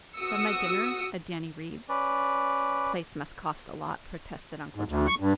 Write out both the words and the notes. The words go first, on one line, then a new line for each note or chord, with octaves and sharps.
"But my dinners at Danny Reeves' place must cost a lot," protested Uncle John.
F#4 D#6 E6 C#7
C#4 B4 D5
G#2
D2
C#6
G2